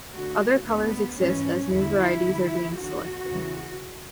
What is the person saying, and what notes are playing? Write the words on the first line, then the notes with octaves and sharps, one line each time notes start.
Other colors exist as new varieties are being selected.
D2 D3 F#4
D2 D3 B3
G#2 E3 C#4
E2 D3 E4
E2 D3
E2 D3 F#4
E2 C#3 E3